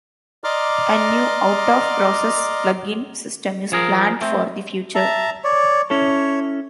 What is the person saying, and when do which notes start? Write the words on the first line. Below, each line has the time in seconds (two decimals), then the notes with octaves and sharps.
A new, out-of-process plugin system is planned for the future.
0.44 D5 D#5 A#5 C6 D6 F6
3.72 F3 G#4 A#4
4.21 A3 C4
4.95 E5 A5 A#5
5.44 C#5 D5
5.90 C#4 E4 A4 C#5